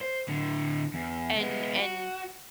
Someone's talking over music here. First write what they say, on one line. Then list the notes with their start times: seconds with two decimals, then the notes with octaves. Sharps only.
And and,
0.01 C5
0.28 A2 D3
0.94 E2
1.37 G#3 B3
1.78 F#4